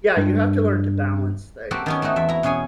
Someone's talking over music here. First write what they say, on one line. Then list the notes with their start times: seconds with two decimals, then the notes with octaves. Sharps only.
yeah, you have to learn to balance things.
0.17 G2
1.71 A#3 C4 F#4 G4 A4
1.86 D#3 B3 C#4
2.02 A3 C4 D#4 F#4
2.16 E2 E5
2.29 E4 A#5
2.43 B2 C#4 G#4 C#5 G#5